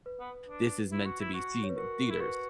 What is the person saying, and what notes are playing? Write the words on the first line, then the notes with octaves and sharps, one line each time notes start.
"This is meant to be seen in theaters."
B4
B3
D4
E4
F#4
E4
F#4
C#5
B4
F#4 A#4
E4 A#4
F#4 B4